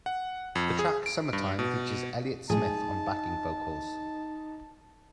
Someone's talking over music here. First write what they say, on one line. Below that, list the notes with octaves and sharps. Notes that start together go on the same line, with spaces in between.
The track "Summertime" features Elliott Smith on backing vocals.
F#5
F2
G#4
D7
G2
B2
A2 F3 G#3 D#4 G#4 A5